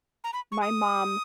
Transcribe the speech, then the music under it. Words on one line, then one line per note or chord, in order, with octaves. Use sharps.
my mom
A#5
B5
C#6
D#6